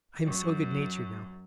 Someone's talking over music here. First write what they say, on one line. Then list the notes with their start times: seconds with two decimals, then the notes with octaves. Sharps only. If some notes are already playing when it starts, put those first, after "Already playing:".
I am so good-natured now.
0.24 F#2